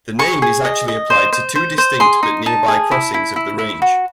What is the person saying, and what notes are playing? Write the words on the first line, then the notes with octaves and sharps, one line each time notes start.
The name is actually applied to two distinct but nearby crossings of the range.
G#4 C#6
G#4
D#5
D#5
C5
C5
C5
C5
G#4 C6
D#4
D#4 A5
G#4
E4
E4
E4
E4
F#4